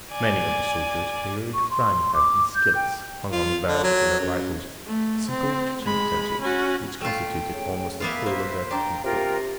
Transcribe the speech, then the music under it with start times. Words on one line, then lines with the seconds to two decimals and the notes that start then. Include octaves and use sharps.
Many of the soldiers carried frying pans and skillets hung on the barrels of their rifles, simple kitchen utensils which constituted almost the whole of their cooking equipment.
0.12 D5 G#5
1.54 C#6
1.70 C6
2.14 D6
2.55 G6
2.75 G5
3.31 F4
3.68 D3
3.83 F#3
4.20 F#2
4.87 A3
5.30 C4
5.82 G#3 B5
6.41 C#4 F#4
7.01 A3 F4 G5
7.53 C#3
8.00 A#3 B3 F4 B4 E5
8.26 A#3 C5
8.71 D4 G5 A#5
9.04 C3 F4 A#4 G5